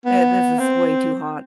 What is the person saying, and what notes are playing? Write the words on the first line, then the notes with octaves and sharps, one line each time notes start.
eh, this is way too hot."
B3
C4